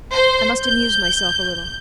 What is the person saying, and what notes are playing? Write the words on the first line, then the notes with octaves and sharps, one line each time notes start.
I must amuse myself a little.
C5
G6